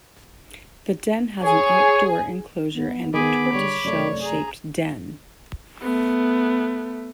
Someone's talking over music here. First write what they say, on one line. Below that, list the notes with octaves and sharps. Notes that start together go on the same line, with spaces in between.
The den has an outdoor enclosure and a tortoise shell-shaped den.
G#4 C#5
B3
D#3 B3 G#4 B5 D6
D3 G3 C#5
F#2 C3 A3 C#5 D5
G#4 A#5
A3 B3